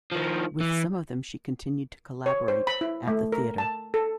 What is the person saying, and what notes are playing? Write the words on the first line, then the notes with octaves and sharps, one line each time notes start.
With some of them she continued to collaborate at the theatre.
D#3 F3
E3
C#5
C5
B5
E4
A3
A#4
A5
A4